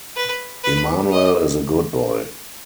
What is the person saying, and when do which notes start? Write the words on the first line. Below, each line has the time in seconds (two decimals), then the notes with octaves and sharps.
Immanuel is a good boy.
0.16 B4
0.63 B4
1.12 D#5